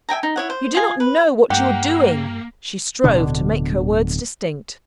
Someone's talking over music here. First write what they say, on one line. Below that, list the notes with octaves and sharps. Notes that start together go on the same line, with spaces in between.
You do not know what you are doing.' She strove to make her words distinct.
E5 G5 G#5 A#5
D#4
E4 C#5 F#5
C5
F4 G#4 G#5
B4
G2 A#3 G4 F#5
D1 B2 D3 D4